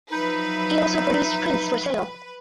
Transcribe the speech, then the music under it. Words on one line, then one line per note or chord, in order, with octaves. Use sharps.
He also produced prints for sale.
F3 F#3 D#4 B4 E5